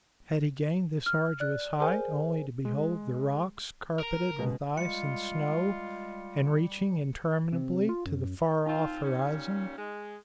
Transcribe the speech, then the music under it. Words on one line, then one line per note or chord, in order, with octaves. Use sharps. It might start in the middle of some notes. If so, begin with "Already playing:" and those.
Had he gained this arduous height only to behold the rocks carpeted with ice and snow, and reaching interminably to the far-off horizon?
F6
D5 F#6
G#4 A#4 C5 G#5
G#3
A#4 A#5
C#2 B2 G#3
G3 G#3 F4 C#7
C3
F4
F#2
A#2 C4 D#4 F4
A#2 G3 C#4
G#3